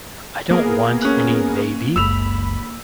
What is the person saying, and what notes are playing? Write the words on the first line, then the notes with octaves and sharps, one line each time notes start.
I don't want any maybe.
A#3 B3 G#4 A#4
C#4 F#6
F#1 C#2 B5 E6 F7